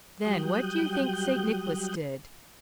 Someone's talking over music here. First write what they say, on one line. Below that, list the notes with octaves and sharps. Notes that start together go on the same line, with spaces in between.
Then what do you think St. Nicholas did?
F#3 G3 G5 D#6 F#6 G6